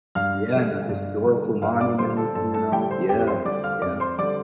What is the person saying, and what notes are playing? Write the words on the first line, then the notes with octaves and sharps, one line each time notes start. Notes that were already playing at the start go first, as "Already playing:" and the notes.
Yeah, and the historical monuments, you know, yeah, yeah.
G2 F5 F6
D3 G3
G2
D3 G3
G2 F5 F6
D5 D6
D3 G3 C5 C6
A4 A5
G2 A4 A5
A4 A5
D3 G3 G4 G5
C5 C6
F2 G4 G5
C5 C6
D3 G3 D5 D6
F5 F6
F2 D5 D6
C5 C6
D3 G3 D5 D6